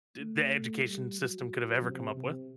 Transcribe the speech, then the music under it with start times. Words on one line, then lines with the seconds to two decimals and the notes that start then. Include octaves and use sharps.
s the education system could have ever come up with
0.19 A3
0.85 G3
1.18 F#3
1.84 C3
2.17 C3